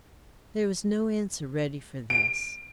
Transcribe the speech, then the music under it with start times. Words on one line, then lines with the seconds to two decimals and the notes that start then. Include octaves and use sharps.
There was no answer ready for this.
2.10 D7